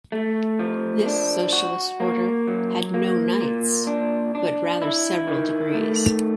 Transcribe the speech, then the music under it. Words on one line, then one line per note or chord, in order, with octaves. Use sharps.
This socialist order had no knights but rather several degrees.
A3
F3
D4
F#4
A#3
F#3
A#3
A#2
D4
D4
E4
D#3
A3